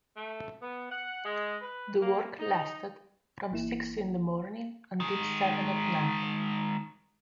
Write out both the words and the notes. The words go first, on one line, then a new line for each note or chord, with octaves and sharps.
The work lasted from six in the morning until seven at night.
A3
B3
F#5
G#3
B4
A#3
D#4
G#1 E3 A#3 E4 E7
D#3 G#3